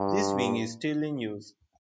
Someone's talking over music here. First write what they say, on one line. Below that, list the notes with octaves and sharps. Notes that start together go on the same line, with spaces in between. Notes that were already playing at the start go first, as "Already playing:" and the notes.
This wing is still in use.
Already playing: G2